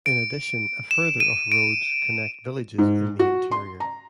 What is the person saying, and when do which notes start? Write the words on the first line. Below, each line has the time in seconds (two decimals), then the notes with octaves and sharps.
In addition a further of roads connect villages in the interior.
0.06 D7
0.91 E7
1.20 D#7
1.52 D7
2.78 G#2
3.19 F#4
3.52 C6
3.80 A#5